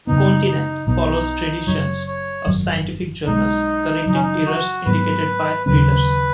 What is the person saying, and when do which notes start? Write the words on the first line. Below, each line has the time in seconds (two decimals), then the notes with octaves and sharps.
Kontinent follows traditions of scientific journals correcting errors indicated by readers.
0.07 F#2 C#3 B3 D#4
0.47 D#4
0.87 B1 B2 B3 D#4
1.67 F#1 F#2 F#3 C#5
2.07 C#5
2.46 G#1 F#2 F#3
3.26 B1 B2 G#3 D#4
4.06 F#1 F#2 F#3 D#4
4.13 C#4
4.22 D#4
4.46 F#4
4.85 G#2 F#3 B3 B4
5.66 D#2 C#3 F#3 C#4 B4